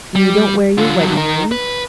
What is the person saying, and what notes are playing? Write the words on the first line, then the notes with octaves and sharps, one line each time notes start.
"And you don't wear your wedding-ring?"
G3
D3 F4
G2 F#3
D#4 A#4
B4